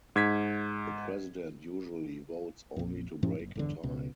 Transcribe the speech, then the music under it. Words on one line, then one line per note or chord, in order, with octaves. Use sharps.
The President usually votes only to break a tie.
G#2 G#6 B6
A#1 F2
F#2 A2 F3 C#4
F#1
G1 E2 D3
C#2 B2